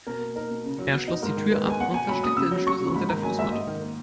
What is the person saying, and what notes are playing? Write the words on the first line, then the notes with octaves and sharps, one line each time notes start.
Er schloss die Tür ab und versteckte den Schlüssel unter der Fußmatte.
B2 A#4
A#3
D#4 A#4
B2
C#3
F#3
B3
D#4
G#2 A#4
D#3
G#3 B4
B3 G#5
E2 F#5
B2 G#5
F#3 B5
E2 D#6
C#3 E6
F#3
C#4 C#6
C#3
C#6
G#2 B5
D#3 A#5
F#3 G#5
G#2 E5
G#2 D#5
D#3
A#3